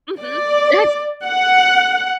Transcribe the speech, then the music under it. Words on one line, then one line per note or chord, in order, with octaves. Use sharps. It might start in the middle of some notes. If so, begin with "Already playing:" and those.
Mhm. That's
D5
F#5